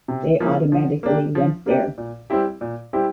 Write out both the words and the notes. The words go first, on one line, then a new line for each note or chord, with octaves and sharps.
They automatically went there.
C3
F3 A#3 C#4 E4
F3
A#3 D4 G4
F3
A#3 D4 G4
A#2
G3 C4 E4 G4
A#2
G3 C4 E4 G4